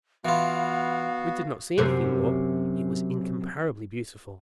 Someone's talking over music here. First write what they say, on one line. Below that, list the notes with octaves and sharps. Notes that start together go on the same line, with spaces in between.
"We did not see anything more: it was incomparably beautiful."
E3 B3 F4 F#4 F5
F#2 C3